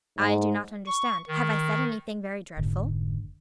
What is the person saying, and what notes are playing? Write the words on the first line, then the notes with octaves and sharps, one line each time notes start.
"I do not understand; have I said anything very dreadful?"
G#2
C#6
D#3
F1 G#2 D3